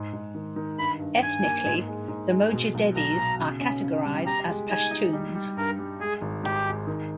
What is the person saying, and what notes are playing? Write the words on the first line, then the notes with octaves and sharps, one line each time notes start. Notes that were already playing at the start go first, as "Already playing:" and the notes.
Ethnically, the Mojaddedis are categorized as Pashtuns.
Already playing: G#2
G#2
D#3
D#3
G2 B5
G2
G2 G#5
A#3
G#2
G#3
G#2
G#3
B2
B1
B1 A#5
B2
C#3
C#4
C#3
G3
G4 A#5
G#3
D#4 G#5
D#4
G3
G3
G2 A#4
G3
G#3 G#4
G#1
G#2 G4
G#3
D#3